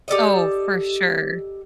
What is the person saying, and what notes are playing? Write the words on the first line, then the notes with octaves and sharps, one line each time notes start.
Oh, for sure.
G4 A4 D5 D#5